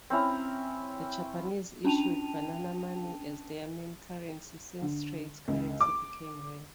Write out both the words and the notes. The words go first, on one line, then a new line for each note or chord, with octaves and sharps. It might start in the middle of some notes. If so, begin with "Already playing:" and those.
The Japanese issued banana money as their main currency since Straits currency became rare.
C4 C#4 E4 A#5
C#4 D4 G5 A5 D#7 F7
D3
C#2
D6